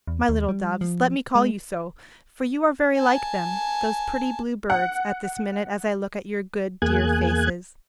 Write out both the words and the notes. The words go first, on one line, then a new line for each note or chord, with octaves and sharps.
My little doves--let me call you so, for you are very like them, those pretty blue birds, at this minute as I look at your good dear faces.
E2
D#2
G3
F3
G#3
G#5 A5
F#5
E2 A#3 G#4 G#5 F#6 G#6